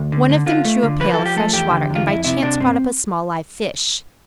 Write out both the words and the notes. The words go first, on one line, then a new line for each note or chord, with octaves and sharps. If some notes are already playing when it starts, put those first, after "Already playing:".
One of them drew a pail of fresh water and by chance brought up a small live fish.
Already playing: D2
D3
D3
D3 F4
A3
D3
F3 B4
F3 A4
G4
A3 A4
E2 G4
D3
E2
F4
F2 E4
C3 E4
C3 D4
G2 C4